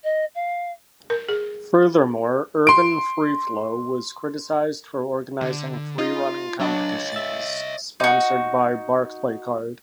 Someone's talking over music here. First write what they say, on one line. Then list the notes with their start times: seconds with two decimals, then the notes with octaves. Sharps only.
Furthermore, Urban Freeflow was criticized for organizing freerunning competitions sponsored by Barclaycard.
0.04 D#5
0.35 F5
1.10 A#4
1.29 G#4
2.67 C6 D7
5.41 D3
5.98 D#4 F4 D#5
6.60 F#3 D4 C#5 D#5
7.12 E5 A6
8.00 D#4 F#4